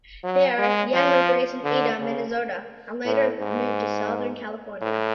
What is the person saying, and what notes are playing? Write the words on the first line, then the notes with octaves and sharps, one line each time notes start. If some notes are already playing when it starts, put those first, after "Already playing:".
There, Yenn was raised in Ada, Minnesota, and later moved to Southern California.
F#3
G#3
F3
D3
C#3
A2
G#2
A2